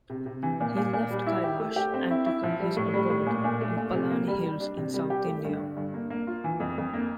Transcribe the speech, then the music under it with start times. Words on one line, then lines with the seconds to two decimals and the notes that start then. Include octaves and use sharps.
He left Kailash and took up his abode in Palani hills in South India.
0.10 C3
0.26 C3
0.43 E3
0.60 A#2
0.77 A#2
0.93 A#2
1.10 G3
1.26 E4
1.44 G4
1.60 A3
1.76 G4
1.94 C4
2.11 E4
2.26 E4
2.43 F3
2.60 G3
2.77 A2
2.94 G3
3.10 A2
3.26 A#2
3.44 A#2
3.61 A3
3.76 A#2
3.93 C3
4.10 A#3
4.28 G3
4.44 G3
4.60 D4
4.77 C3
4.94 G3
5.10 G4
5.27 A3
5.44 G2
5.60 D3
5.77 G2
5.94 A#3
6.10 A#3
6.27 F4
6.44 E3
6.60 F2
6.78 F2
6.93 A#3